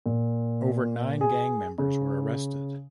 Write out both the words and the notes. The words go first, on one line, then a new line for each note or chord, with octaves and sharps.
Over nine gang members were arrested.
A#2
G#4
C#3